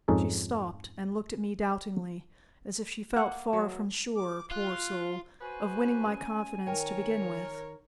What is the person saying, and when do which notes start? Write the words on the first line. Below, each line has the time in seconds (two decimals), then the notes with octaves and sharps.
She stopped, and looked at me doubtingly, as if she felt far from sure, poor soul, of winning my confidence to begin with.
0.08 F2 G#2 C#4 D#4 G#4 A4
3.16 A#3 F#5
3.53 F#3
4.16 D6
4.51 F4 F#6
5.41 F#4 B4 C5 G#5
6.06 C#4
6.67 D#3 A#4 C#5 G5